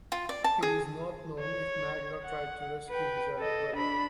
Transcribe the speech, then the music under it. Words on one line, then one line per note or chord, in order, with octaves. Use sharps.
It is not known if Maglor tried to rescue his elder brother.
F4
D5
A5
G#4
C#5
F#5
B4 G5
A4 D#5
D4 B5